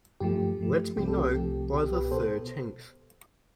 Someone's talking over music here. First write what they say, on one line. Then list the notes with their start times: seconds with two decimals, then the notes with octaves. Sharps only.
Let me know by the thirteenth.
0.20 G2 F3 A3 G4
0.59 G2 F3 A3
0.97 C2 C3 F3 A3 C4 G4
1.08 A4
1.18 G4
1.35 C2 C3 F3 A3 C4 G4
1.73 C2 B2 B3 G4
1.93 G4 B4
2.11 B2 B3 A4 C5